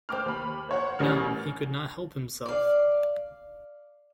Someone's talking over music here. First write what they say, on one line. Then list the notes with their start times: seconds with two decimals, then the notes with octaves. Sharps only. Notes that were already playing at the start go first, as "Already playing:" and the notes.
Now he could not help himself.
0.09 C5 G5 D6 F6
0.25 D#2 B5
0.69 C5 C#5 F#5
0.99 A1 G3 C#4 A#4 F6
2.46 D5 F5